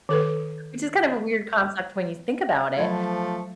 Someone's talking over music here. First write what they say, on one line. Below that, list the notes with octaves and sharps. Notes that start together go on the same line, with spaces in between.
which is kind of a weird concept when you think about it.
D#3 A4 B4
F3 F#3 A3 B5 G#6